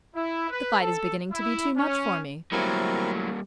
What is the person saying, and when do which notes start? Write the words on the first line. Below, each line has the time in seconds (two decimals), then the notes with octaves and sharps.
The fight is beginning to be too much for me.
0.16 E4
0.50 B4
0.81 A4
1.32 E4
1.77 C#4
2.52 A2 F#3 G3 A#3 C4 E4 A#4